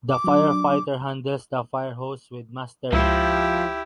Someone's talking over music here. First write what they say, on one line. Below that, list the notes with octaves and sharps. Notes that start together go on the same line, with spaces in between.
The firefighter handles the fire hose with mastery.
D6
F#3 D4
C#2 F3 E4 G4